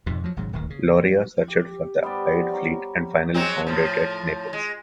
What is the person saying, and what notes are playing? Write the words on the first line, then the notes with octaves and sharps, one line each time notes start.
Lauria searched for the allied fleet and finally found it at Naples.
F2 G#2 B2
F3 F#3
G#1 G#2 C#3 F#3
D1 G1 D#2 D#3
C#3
G4
G3 B3 C5 D5
C#5 A#5 C#6
F#3 G#3 C4
A2 F3
G#3